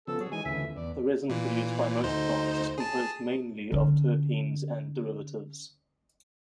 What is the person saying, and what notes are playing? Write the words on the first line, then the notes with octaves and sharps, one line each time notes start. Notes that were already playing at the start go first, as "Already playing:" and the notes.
The resin produced by most plants is composed mainly of terpenes and derivatives.
C#3 F3 B3 A4
F#3 G#4 C#5
E3 G#3 D#4 G#5
D2 C#3 E3 E5
E2 D5
A#2 E3
D2 D#4 C5
G#4 A5
D3 C#4